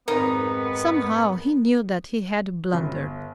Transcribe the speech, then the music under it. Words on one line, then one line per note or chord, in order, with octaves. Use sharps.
Somehow he knew that he had blundered.
G#1 F2 G#2 B3 D#4 A#4
G1